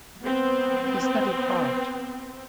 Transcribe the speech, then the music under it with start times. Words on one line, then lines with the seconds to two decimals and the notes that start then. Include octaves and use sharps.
He studied art.
0.22 B3 C4